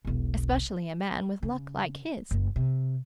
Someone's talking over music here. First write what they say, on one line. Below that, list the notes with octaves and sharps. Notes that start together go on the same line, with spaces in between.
Especially a man with luck like his.
E1 B1
C#3
F#1
C3